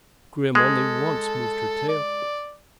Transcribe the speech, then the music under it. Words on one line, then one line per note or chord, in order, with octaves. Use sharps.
Grim only once moved her tail.
G#3 A4
D5